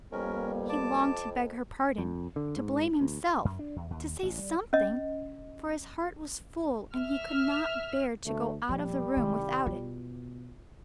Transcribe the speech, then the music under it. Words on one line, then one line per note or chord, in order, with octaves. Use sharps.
He longed to beg her pardon, to blame himself, to say something, for his heart was full and he could not bear to go out of the room without it.
F2 G3 A#3 B3 C#4 A#4
A5 D6
F2
D3
G#2
D2
F#2
D4
E2
D#2
A1
G3
C#4 D#5
E5 F6
D2 A3
A#2 F3 G3
C2 D#3
B2 F4